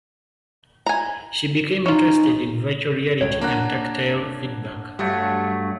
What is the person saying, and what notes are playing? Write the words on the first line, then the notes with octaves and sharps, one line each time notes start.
She became interested in virtual reality and tactile feedback.
G#5 A#5
C#4 D#4 F4
C#2 C#4 C#5 D7
A#3 D4 F#5 A#5 F#6
G2 F#3 G3 A3